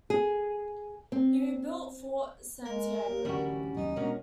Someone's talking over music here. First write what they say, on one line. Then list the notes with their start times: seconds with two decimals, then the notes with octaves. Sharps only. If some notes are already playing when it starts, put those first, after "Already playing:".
He rebuilt Fort Santiago.
0.10 G#4
1.12 C4
2.65 G#3 A#4
3.08 D#2
3.25 D1 D3 E3 G3 C#4 E4 F#4
3.77 D#2 F#3 D#4
3.96 B2 G#3 C#4 D4 F#4 A#4